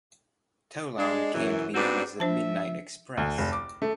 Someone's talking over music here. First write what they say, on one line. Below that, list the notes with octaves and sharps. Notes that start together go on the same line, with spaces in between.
Tolan came to be known as the "Midnight Express".
G#3 D4
F#2 E3
G#2 G3 B3 C4 D4 F#4
F3 D4 C5 E5 A5
D2
F1
D6
A3